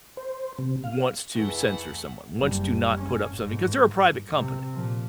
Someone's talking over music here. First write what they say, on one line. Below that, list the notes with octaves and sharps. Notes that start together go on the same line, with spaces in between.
wants to censor someone, wants to not put up something, 'cause they're a private company.
C5
C3
F5
F1 E3 A3 G#4 F#5 G7
F#1 G3
C#4
G1 G#2
C3
A#2 F3